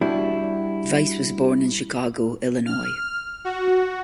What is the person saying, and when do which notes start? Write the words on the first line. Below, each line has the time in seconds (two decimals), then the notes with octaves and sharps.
Weiss was born in Chicago, Illinois.
0.01 G3 D4 E4 F#4
2.66 F6
3.45 F#4